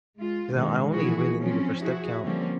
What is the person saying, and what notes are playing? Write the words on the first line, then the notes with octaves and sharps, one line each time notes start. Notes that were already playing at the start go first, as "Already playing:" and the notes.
'cause I o I only really need it for step count.
G#3 F4
A#2 D3 D#3 G#3
B2 E3 F3 E4 F#4 G#4
F3 F#3 C4 C#4
E4 F#4 G#4
D3 F3 G3 A#3 C4 C#4